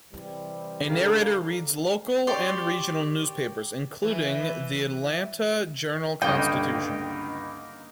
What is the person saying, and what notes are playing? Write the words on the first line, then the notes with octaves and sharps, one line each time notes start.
A narrator reads local and regional newspapers, including the "Atlanta Journal-Constitution".
C3 E3 G3
C2 C#3 D4 A4 A#4 F5
G4 C#5 D5 C6
E3
C#2 G2 D3 A#3 D#4 G5